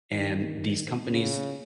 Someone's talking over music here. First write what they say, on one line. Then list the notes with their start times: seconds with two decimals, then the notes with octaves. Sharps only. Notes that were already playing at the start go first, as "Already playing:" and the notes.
em, these companies
0.12 D#3
1.10 C#3